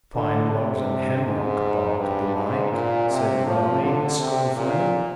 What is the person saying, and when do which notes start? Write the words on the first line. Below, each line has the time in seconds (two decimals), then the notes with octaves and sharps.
"Pine logs and hemlock bark, belike," said Raleigh, scornfully.
0.15 D3
0.51 C3
1.25 G#2
1.99 G2
2.35 G#2
2.72 A#2
3.09 C3
3.46 F3
3.82 D3
4.20 C3
4.56 A#2